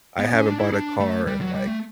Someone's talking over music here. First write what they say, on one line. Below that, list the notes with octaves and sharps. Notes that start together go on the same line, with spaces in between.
I haven't bought a car in, like
B3
C#4
D4
E4
D4
A3
G3
F#3
G3
A3